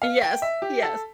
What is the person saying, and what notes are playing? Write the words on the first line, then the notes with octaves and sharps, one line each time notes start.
Yes. Yes.
F5
G5
E5
G4
A4